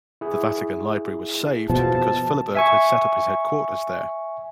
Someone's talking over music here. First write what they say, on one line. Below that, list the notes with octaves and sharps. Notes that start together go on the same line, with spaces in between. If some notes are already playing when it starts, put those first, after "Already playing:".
The Vatican Library was saved because Philibert had set up his headquarters there.
E4 G#4
B2 F3 A5
E5 G#5 C#6